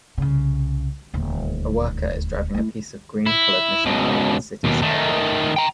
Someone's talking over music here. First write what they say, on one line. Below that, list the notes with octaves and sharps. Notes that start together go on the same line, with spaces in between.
A worker is driving a piece of green colored machinery on a city sidewalk.
C2 C#3
D#1 D2
A3 E4
E4
C#2 B2
D#2 B2
D#3 A3
G5 A#5